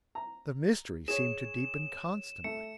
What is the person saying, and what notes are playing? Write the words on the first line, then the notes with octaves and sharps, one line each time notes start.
The mystery seemed to deepen constantly.
A#5
G#4 C#5 E7
A3 C#7